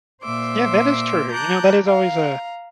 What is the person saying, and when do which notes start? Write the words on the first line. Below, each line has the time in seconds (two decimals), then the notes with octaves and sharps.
Yeah, that is true, you know, that is always, uh,
0.22 A#2 C5 E5 C6 D6
1.32 A5 A#5 D6 F#6 G6
1.86 F5 A#5